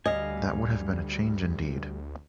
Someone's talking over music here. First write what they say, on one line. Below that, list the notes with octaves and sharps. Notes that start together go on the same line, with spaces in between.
That would have been a change indeed.
D2 G3 D#5 F5 G#5